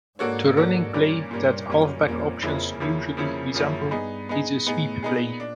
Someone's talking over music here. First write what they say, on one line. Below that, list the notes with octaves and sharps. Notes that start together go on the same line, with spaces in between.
The running play that halfback options usually resemble is a sweep play.
G#2 A#3 D4 F#4 A4 C#5
A#3 D4 F#4 A4 C#5
G2 A#2 G3 A#3 C#4
G2 A#2 G3 A#3 C#4
F#2 A#2 G3 A#3 C#4
F2 A#2 G3 A#3 C#4
F2 C#3 F3 A#3 C#4 E4
E2 C#3 F3 A#3 C#4 E4
F2 C#3 F3 A#3 C#4 E4
F#2 C#3 F3 A#3 C#4 E4
G2 B3 D#4 G#4
B3 D#4 G#4
A2 B3 D#4 G#4
A#2 B3 D#4 G#4
D4